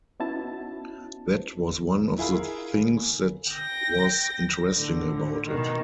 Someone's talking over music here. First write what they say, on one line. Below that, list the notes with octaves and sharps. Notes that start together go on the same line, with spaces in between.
That was one of the things that was interesting about it.
B3 C#4 D#4 E4 F#4 A5
E4 F4 G#4 A#4 F5 B5
G5 A#6
A2 D3
B2 D#3